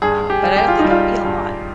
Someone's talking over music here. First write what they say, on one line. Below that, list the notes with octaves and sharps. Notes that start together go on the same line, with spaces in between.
um, but, I don't think it would be a lot.
G2 G#4
G4
G3
G4
F4
D#4
G3
F4
G2